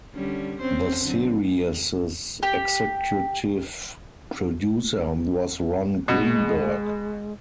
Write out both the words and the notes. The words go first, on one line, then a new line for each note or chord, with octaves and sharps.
The series' executive producer was Ron Greenberg.
D3 G3 C#4
C4 C#4 C5
D3 F#3 C4
G4
B2 G#3